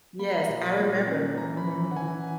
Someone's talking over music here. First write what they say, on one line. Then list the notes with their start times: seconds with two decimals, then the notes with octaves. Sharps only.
Yes, I remember. Mhm.
0.19 A#3 B5
0.31 A#5
0.42 B5
0.49 A#2
0.78 A#2
1.08 C#4
1.38 E3 A#5
1.57 B5
1.67 E3
1.91 F#5
1.96 E3 G#5